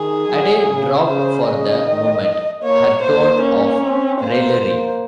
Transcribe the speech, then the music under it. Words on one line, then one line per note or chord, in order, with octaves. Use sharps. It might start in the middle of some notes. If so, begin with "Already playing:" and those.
Adele dropped for the moment her tone of raillery.
Already playing: D#3 G#4
F#3
C#3
C#3 C5
C#3 D#5
D#3
A#3 C#5
A#3 C5
C#4
C4
A#3 C5
A#3